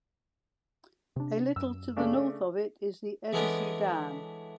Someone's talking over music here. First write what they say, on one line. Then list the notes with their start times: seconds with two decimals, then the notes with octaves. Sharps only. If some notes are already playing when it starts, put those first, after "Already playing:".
A little to the north of it is the Edersee dam.
1.16 C3 D4
1.56 F#2 E6
1.97 C#3 A3 D4
3.33 E3 G#3 A3 B3 C#4 D4